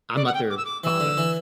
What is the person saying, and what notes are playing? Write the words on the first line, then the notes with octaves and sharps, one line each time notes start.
I'm not their father,
D5
F#5
G5
D6
E6
D6
E3 E6
D3
E3